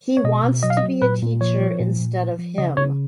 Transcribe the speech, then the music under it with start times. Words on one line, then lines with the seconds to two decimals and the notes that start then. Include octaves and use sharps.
He wants to be a teacher instead of him.
0.17 C#5
0.24 B2 D#5
0.43 B2
0.63 F#3 D#5
0.70 F5
0.77 D#5
0.83 F#3
1.02 A#2 B4
1.22 A#2
1.41 F3 C#5
1.61 F3
1.80 A#2
2.00 A#2
2.19 F3
2.39 F3
2.58 C#3 D#5
2.77 C#3 C#5